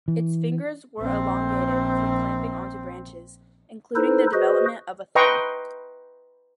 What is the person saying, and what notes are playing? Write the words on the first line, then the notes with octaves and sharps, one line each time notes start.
Its fingers were elongated for clamping onto branches, including the development of a thumb.
E3
A#1 C4
D#4 E4 A4 B4 C5
F#4 G#4 B4 C5 D#5
B4 D#5 G5 A#5 C6 C#6